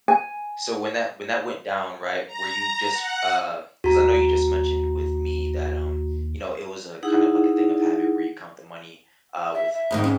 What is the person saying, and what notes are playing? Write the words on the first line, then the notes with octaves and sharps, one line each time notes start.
So when that when that went down, right, were you just, um 'cause I know you just mentioned with me that, um, you know, it was a kind of like a thing of habit where you count the money, uh, with
G#5
A#5
F#5
D#2 F#4 A#5
D#4 E4 G#4 F#5
E5
E5
F2 G#2 D#3
G#2 C#4